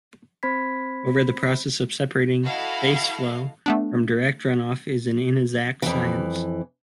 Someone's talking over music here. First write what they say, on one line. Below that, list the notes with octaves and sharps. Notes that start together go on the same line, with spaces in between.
However, the process of separating "baseflow" from "direct runoff" is an inexact science.
C4 C5 B5 G#6 B6
E4 F#4 A4 D#5 F5 F#5
A3 B3 D4
F2 E3